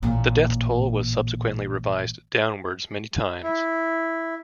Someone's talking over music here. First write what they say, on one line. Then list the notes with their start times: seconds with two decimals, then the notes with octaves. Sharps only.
The death toll was subsequently revised downwards many times.
0.03 A1 A#2
3.43 E4